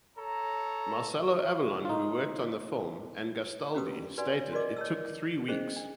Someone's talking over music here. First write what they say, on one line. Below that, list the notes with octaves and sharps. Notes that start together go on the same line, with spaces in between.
Marcello Avallone who worked on the film and Gastaldi stated it took three weeks.
A4 C#5 A#5
D#4 F4
C#4 F#4 G4 B4 D#6
F#4 B4 D5 F#5 G#5 C6
F#4 A#4 B4 D5 D#5 D6
C#5 D#5 A5 E6
C#4 G#4 C5 D#5
D4